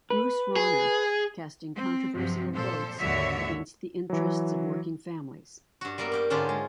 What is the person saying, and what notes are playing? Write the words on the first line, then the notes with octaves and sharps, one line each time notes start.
Bruce Rauner, casting controversial votes against the interests of working families.
B4
G#4
C4
G2 C3 F3 F#3
A#2 A4 C5
D#2 G#2 D3 F#4 C#5 E5
E3 F#3
G2 F#4
G3 A#3 B3 A#4 E5
A#3 G4 G5
G#2 D3 C#4 D#4 F4 G4
G#3